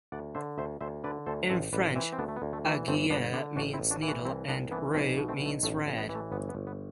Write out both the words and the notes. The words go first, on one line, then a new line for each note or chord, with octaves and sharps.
In French "aiguille" means "needle" and "rouge" means "red".
D2 D5 F#5
D3 C5 E5
D2 C5 E5
D2 C5 E5
D3 B4 D5
D2 A4 C5
A1 A4 C5
A1 B4 D5
E3 C4 E4
C4
D2 B3 D4
A3
B3
D2
A3
E3
A3
G1 A3 C4
G1 B3 D4
D3 B3 D4
A1 D4 F#4
C4 E4
A1
D4 F#4
E3
D4 F#4
C2 C4 E4
C2 B3 D4
E3 B3 D4
B1 A3 C4
B2
A3 C4
B1
A3
A1 A3
A1
B3
E3
A3
G1 B3
B3
G1
B3